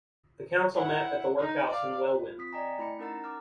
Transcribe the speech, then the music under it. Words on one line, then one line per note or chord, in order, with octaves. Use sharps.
The council met at the workhouse in Welwyn.
E4 F#5
D#4
D5 F5
F4
C4 D#6 B6
D5 D#5 G5 G#5 A#5
A3 E4 B5 A#6 C#7
C#4 D#4 A#4 F#5 A#5 A6
D6 F6